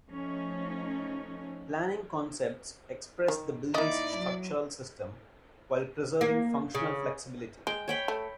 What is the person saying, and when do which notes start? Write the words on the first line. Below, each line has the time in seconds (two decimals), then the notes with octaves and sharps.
Planning concepts express the building's structural system, while preserving functional flexibility.
0.10 F3 A3 C#4 D#4
3.28 D#3
3.74 A#3 D#4 E4 D5 D#5
4.16 F#3
6.21 A#3
6.75 C#3
7.67 G#3 G5
7.88 C#5 G5 B5
8.08 A3